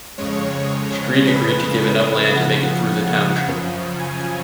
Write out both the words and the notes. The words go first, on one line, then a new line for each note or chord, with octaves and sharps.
Street agreed to give enough land to make it through the township.
F2 C#3 G#3 C#5
F2 C#3 G#3 B4
F2 C#3 F3 F#5
F#5
F#2 C#3 F3
G#5